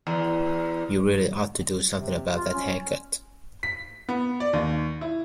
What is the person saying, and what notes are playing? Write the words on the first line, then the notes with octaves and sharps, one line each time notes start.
You really ought to do something about that haircut.
E2
C3
F4
C#4
B6
B3
D5
D#2
E4